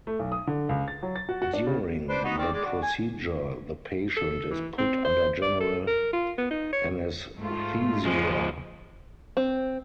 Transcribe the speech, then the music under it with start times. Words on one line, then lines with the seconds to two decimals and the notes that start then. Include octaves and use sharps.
During the procedure, the patient is put under general anaesthesia.
0.07 A3
0.19 B1
0.32 D#6
0.47 D3
0.69 C#2
0.88 A6
1.03 F#3
1.16 A6
1.29 F#4
1.42 F#4
1.54 D4
1.67 C#3
2.09 D4 B4 C5
2.24 B3 D#4 F#4
2.38 D#3 C4 D5
2.53 G#3 D5
2.65 D4 F#4
2.83 G#5
4.16 A4
4.51 E3
4.78 C4
5.04 C5
5.42 D5
5.60 A4
5.87 A#4
6.13 F4
6.38 B3
6.50 D#4
6.73 C#5
7.38 G#2 A3 F4
8.05 F3 G#3
9.37 C4